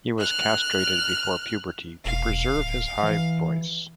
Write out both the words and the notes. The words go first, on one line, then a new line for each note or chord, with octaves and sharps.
He was castrated before puberty to preserve his high voice.
F6 F#6
E1 F5
D1
E3